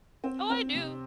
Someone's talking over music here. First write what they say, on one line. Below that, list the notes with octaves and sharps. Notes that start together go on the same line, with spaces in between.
Oh, I do,
C4
C4
C3